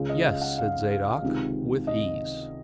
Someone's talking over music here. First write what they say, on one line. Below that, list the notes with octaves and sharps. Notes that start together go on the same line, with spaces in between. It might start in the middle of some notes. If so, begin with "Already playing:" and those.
"Yes," said Zadok, "with ease."
Already playing: C#2 C#3
D#5
F5
F#5
F5
F5
C#2 C3 D#3
D#5